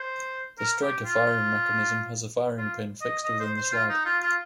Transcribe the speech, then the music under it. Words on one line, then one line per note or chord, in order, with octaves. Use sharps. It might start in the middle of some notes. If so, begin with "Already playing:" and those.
The striker firing mechanism has a firing pin fixed within the slide.
Already playing: C5
A#4
G4
F4
F4
D#5
D#5
C5
C5
F4
D#4
F4
F4